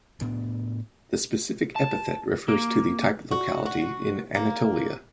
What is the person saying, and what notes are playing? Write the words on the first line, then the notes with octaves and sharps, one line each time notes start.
The specific epithet refers to the type locality in Anatolia.
A2 B3 D4
A5
A#3
F#4
F#4
A#3